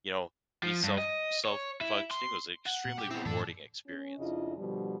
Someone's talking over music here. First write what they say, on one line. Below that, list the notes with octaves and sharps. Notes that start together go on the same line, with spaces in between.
you know, be self self-functioning. Was extremely rewarding experience.
F3
G2
D#5
C#5
E4
C6
F#5
A#2
G4
B2 C4 E4
F#2 A2 E3 D4 A4
C#4
F2 C#3 D4 E4 F4 D#5
B2 D3 F3 G3